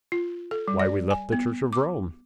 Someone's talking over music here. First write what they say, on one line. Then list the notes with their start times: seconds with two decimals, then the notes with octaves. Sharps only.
Why we left the church of Rome.
0.12 F4
0.51 A4
0.68 G3
0.79 D5
1.11 G#5
1.32 B3
1.73 D6